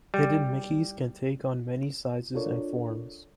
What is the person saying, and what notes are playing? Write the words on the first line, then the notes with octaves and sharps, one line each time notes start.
Hidden Mickeys can take on many sizes and forms.
G3
D4 F4 A4 A#4 C#5 D5